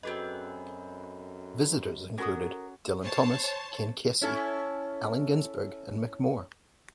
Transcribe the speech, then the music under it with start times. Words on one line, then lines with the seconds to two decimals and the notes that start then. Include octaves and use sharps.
Visitors included Dylan Thomas, Ken Kesey, Allen Ginsberg and Mik Moore.
0.03 F#2 C4 F#4 G#4 A4 B4 D#5
2.18 C#4 F#4 A4 A#4 D#6
3.04 C5 C#5 A5
4.21 C#4 E4 A4